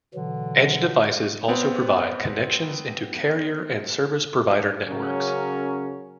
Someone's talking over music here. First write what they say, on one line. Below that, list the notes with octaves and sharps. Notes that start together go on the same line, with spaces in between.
Edge devices also provide connections into carrier and service provider networks.
B2 D3 E3 F#3
B3 C4
C#3 F#3 C#4 A#4